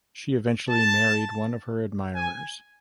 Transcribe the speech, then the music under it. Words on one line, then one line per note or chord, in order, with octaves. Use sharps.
She eventually married one of her admirers.
A5
G#5